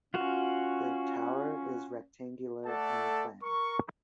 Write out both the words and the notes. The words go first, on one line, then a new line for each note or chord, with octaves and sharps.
The tower is rectangular in plan.
C#4 F4 F#4
A3 A4 D5 F#5 A5
A#4 C#6